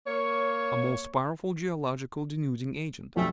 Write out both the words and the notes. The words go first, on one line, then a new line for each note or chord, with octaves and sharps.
A most powerful geological denuding agent.
A#3 C#5
B1 F2 G3 A3 G#5